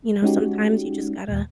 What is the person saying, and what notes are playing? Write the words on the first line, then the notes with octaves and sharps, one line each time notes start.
you know, sometimes you just gotta
G#3 C#4 D#4 F#4 G4
D#2 A#2